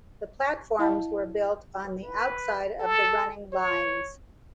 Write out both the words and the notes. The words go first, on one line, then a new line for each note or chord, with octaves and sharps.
The platforms were built on the outside of the running lines.
E4 D#5 F5 A5
B4
A4
C#5